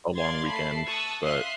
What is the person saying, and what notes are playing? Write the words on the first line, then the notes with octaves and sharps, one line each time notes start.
a long weekend. But,
D5 F5 C6 G#6 A6
A3 A5 B5 C7
A5 C#6 D#6 E6 F#6 A6
E5 F5 C6 D#6 F#6